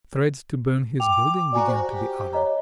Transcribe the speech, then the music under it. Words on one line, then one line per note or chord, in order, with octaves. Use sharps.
Threats to burn his building began to be uttered.
G5 D6 F7
F#4 D5 G#5 A#5
C5
G4
C#5 D#5 A#5